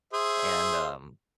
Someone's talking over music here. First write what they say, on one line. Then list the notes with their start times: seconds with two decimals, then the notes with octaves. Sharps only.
and, um
0.13 G#4 C5 E5